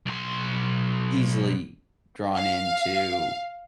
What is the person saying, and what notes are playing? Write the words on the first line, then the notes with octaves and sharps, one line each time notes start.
easily drawn into,
B1 C6
F5